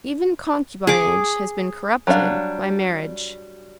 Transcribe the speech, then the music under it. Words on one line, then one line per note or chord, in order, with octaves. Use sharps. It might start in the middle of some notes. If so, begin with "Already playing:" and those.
Even concubinage has been corrupted--by marriage.
G#4 D6
F#3 G3 D4 F5